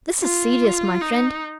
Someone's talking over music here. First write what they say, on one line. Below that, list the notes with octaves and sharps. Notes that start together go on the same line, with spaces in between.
This is serious, my friend!
F4
D#4